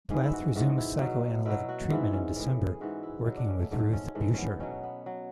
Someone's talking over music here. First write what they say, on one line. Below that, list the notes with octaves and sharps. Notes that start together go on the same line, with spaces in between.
Plath resumed psychoanalytic treatment in December, working with Ruth Beuscher.
G#2 E3 G#4
E4
F#4
G#2 E3 F#4
E4
B2 F#3
B2 F#3 E4
F#4
G#2 E3 E4
C#4
A2 E3
G#4
G#2 E3 F#4
E4
B2 F#3 E4
D4
C#4
A3
G#2 F#3 A3
C#4
G#2 E3 A3
B3 C#4
B2 F#3 C#4
B3
F#3